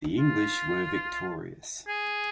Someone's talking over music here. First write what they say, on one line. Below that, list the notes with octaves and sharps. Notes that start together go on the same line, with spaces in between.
The English were victorious.
F4
G#4